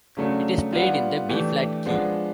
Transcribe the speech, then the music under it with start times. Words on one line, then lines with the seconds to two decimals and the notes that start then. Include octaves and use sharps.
It is played in the B flat key.
0.17 C#3 F#3 A3 D4
0.72 G3 B3 D4 F4
1.29 E3 A3 D4 G4
1.86 F3 G#3 B3 D4